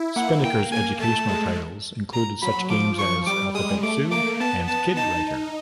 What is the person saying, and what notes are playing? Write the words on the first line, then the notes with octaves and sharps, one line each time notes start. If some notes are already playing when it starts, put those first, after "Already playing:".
Spinnaker's educational titles included such games as "Alphabet Zoo" and "Kidwriter".
Already playing: E4
A#3 F#5
G5
G#5
A3 A5
G#3
A#5
F#3 B5
F3 D6
F3 C#6
G3 D6
G#3 D#6
A3 D6
A#3 D6
B3 A5
A5
D#4 A5